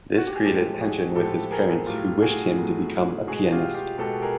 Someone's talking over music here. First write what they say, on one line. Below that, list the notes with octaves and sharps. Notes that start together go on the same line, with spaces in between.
This created tension with his parents, who wished him to become a pianist.
F#4
G4
G#4
A2 F3 G#3 G4 A4
F#4 G#4
A2 F3 G#3 G4 A4
G#4 A#4
A2 F#3 A3 F4 G4
F#4 G#4
A2 F#3 A3
B2 G#3 F#4 G#4
F4 G4
F4 G4
B2 G#3 G4 A4
G#4 A#4